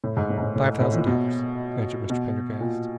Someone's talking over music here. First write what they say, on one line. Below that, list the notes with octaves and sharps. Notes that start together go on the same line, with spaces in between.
"Five thousand dollars," answered Mr. Pendergast.
A2
G#2
A2
G#2
A2
A2
A2
A#2
B2
B2
A#2